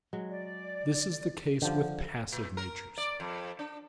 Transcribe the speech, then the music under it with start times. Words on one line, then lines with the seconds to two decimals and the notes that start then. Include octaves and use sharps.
This is the case with passive natures.
0.13 F#3 G#3
0.29 D5
1.62 D3 F3 G4
2.32 A#2
2.57 A#4
2.98 D5
3.20 F2
3.59 D4